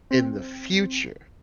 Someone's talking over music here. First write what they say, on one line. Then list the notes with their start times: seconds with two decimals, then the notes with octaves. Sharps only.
in the future
0.11 C4